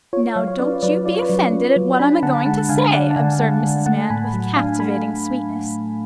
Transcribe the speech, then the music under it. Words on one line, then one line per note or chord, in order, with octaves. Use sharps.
'Now don't you be offended at what I'm a going to say,' observed Mrs. Mann, with captivating sweetness.
F4 C#5
F#3 C#5 F5
C#5
C#4 B4 D5
F#3 B4 D5
F4 D5
C#5
B4 D5
F#3
C#4
F#3
D4 G#5 B5
D3 F#5 A5
G#3 F#5 A5
D3 F5 G#5
D4 D5 F#5
A5
D3 F5 G#5
G#3 F#5 A5
D3
A3 F#5 A5
A2 G#5 B5
F#3
D4 F5 G#5
A3 G#5 B5